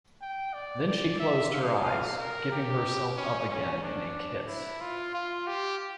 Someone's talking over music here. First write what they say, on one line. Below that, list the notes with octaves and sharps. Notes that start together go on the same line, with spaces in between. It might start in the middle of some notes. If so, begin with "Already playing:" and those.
Then she closed her eyes, giving herself up again in a kiss.
G5
D5
D5
E5
F5
F5
A#4
G4
C#4
C#4
D4
E4
F4
F4
G4